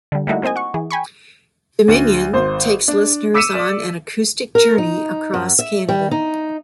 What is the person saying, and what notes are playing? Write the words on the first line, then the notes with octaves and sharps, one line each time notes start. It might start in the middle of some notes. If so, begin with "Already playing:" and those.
"Dominion" takes listeners on an acoustic journey across Canada.
D3 G3
G3 A3 A#3 D#4 E4 F#4
A#3 C4 C5 D#5 G#5
F#5 C#6
E3 G#4
G5 G#5 B5 C#6
D2
G#1 C5
D4
D6 E6 B6 C#7 D#7 E7
D5
A#4
D#4
F#2
E5
G3
D#4